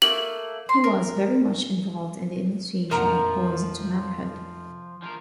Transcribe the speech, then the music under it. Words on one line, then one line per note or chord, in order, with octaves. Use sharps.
He was very much involved in the initiation of boys into manhood.
A3 A#3 F#7
C6
A#4
F1 A#1 F3 A#4 F#5 A#5
F3 A#4